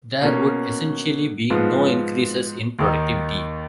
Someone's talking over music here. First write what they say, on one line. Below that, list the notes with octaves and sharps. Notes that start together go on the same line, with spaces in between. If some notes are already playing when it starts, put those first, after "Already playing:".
There would essentially be no increases in productivity.
B2 A#3 C#4
G#2 F3 B3 F4
D#2 D#3 A#3 D#4